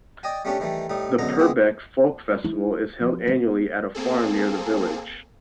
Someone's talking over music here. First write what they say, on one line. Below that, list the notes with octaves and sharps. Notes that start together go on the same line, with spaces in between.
The Purbeck Folk Festival is held annually at a farm near the village.
D5 D#5 G5 G#5
G3 A3 C#4 D4 G4
D#3 E3 G3 A3
A2 G3 D#4
C#2 F#2 B2 D3 D#4 A#5
G#3 B3 C4 E4 G#4
E4
F3
B3
A#3 C4 G#4 A4